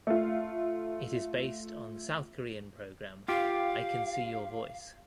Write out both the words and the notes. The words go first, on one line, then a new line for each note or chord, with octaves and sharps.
It is based on South Korean programme "I Can See Your Voice".
A3 F4
F4 G4 F5